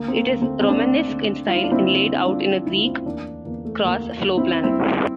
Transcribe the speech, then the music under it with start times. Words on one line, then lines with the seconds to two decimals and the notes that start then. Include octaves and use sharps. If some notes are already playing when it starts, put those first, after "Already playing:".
It is Romanesque in style and laid out in a Greek-cross floorplan.
Already playing: D2 A#3
0.08 C4
0.16 A#3
0.29 D2
0.42 A3 C4
0.61 C4
0.68 D2 A#3 D4
1.08 D3
1.47 G3 F4
1.55 E4
1.64 D4
1.72 C4 E4
1.87 D3
2.26 G3 D4 F4
2.66 D2 E4
2.76 F4
2.85 C4 E4
3.06 E2 A#3 D4
3.45 E2 A#3
3.65 A3
3.84 E2 A#3
4.24 D3
4.37 C4 E4
4.64 G3 C4 E4